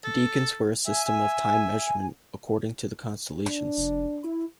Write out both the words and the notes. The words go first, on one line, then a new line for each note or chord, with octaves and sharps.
The decans were a system of time measurement according to the constellations.
A4
E5 G#5
D4
F1
E4